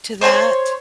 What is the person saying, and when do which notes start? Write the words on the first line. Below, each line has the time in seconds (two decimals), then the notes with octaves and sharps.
to that.
0.21 C5 C#5 G#5 C6